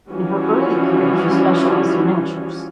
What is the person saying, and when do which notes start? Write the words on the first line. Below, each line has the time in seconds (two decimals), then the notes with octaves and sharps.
In her early career she specialized in miniatures.
0.10 E3 F3 G3 C#4 F4 F#4